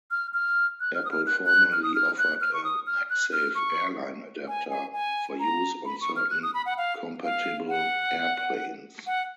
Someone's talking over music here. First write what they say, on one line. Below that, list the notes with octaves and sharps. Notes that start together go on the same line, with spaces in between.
Apple formerly offered a "MagSafe Airline Adapter" for use on certain compatible airplanes.
F6
F6
F#6
F6
D#6
F6
F#6
F#6
F6
D#6
F6
F#6
F6
C#6
D#6
F6
F#6
F6
C#6
G#5
G#5
G#5
A#5
B5
C#6
F6
F#6
D#6
B5
F#5
F5
F5
F#5
F#5